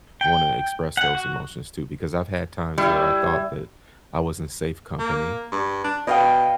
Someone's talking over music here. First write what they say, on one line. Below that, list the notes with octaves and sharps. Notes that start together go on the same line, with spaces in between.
wanna express those emotions to because I've had times where I thought that I was in safe company,
G5
F#5
F#4
G3 E4
A#3
G2
D4
B2 D#5 F5 G5